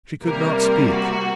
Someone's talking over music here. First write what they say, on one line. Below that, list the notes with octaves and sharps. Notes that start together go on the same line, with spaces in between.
She could not speak.
C3 G3 A#3 A#4
A#4
F#4